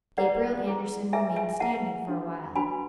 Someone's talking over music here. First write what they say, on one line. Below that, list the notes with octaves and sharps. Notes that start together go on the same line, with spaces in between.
Gabriel Andersen remained standing for a while.
E4 G#4 B4 D5 F#5
E4 G#4 B4
E4 G#4 B4 E5 G#5
E5 G#5
E4 G#4 B4 F#5 A5
D4 F#4 B4
D4 F#4 B4 G#5 B5